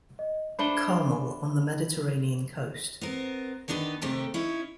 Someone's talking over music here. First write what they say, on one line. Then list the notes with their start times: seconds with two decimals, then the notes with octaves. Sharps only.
Carmel on the Mediterranean coast.
0.19 D#5
0.59 A3 D4 C5 B5 G7
3.01 B3 C4 A#4
3.68 D#3 B3 D4 D#4 B4
4.01 C3 D#3 A3 G4 A4 A#4
4.34 C#4 D#4 E4